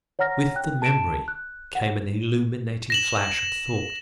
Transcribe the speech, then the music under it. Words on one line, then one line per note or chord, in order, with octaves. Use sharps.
And with the memory, came an illuminating flash of thought.
C#5 F#5 A#5 F6 A#6
G5 F#6
A5 D7 E7
F#6
F#5
A#6 E7 F#7